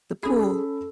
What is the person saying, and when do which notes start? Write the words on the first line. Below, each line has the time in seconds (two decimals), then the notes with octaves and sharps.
the pool,
0.23 C#4 G#4 A4 B5